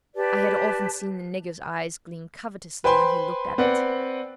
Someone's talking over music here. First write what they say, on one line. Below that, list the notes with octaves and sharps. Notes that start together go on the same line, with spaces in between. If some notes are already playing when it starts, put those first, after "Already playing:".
I had often seen the nigger's eyes gleam covetously when he looked at it.
G4 B4 D5 A5
B4 C5 G5 G#5 B5 C6
C4 B4 D5 F#5